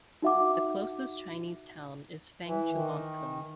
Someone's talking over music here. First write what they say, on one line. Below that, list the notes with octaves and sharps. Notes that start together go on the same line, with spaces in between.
The closest Chinese town is Fangchuancun.
D#4 F#4 E5 F#5 D6
E3
D#3